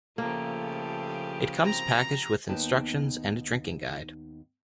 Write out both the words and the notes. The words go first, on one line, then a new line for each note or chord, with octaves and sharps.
It comes packaged with instructions and a drinking guide.
A#1 C#3 F3 A3 A#3 G4 A4
G#1 C4 A#5
D#2 B3 D#4 G5 A5